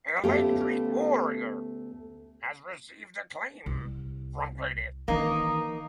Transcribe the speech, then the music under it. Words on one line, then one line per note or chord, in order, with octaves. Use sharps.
"Electric Warrior" has received acclaim from critics.
D2 A3 B3 C#4 F4 G4
C2
D#3 E3 A#3 D#4